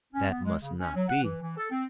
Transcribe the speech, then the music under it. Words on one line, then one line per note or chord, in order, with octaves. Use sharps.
That must not be!
C#4
B3
G#3
C#3
C#4
F#3
F#5
E3
E3
A4
C4